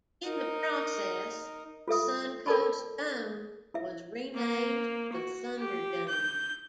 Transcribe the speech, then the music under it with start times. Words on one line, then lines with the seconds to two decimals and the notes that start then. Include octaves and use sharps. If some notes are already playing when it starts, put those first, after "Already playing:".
In the process, the Suncoast Dome was renamed the Thunderdome.
0.25 D#4 A#4
1.88 F4 A4 E5 D#6
2.46 A4 A#4 D5 A5 B5 C#6
3.74 E4 E5
4.35 A#3
5.13 F#4
5.58 G4
6.09 G6